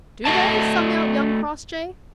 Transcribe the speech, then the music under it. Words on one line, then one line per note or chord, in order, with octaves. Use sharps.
"Do they?" sung out young Crossjay.
A3 F#4 D#5 A5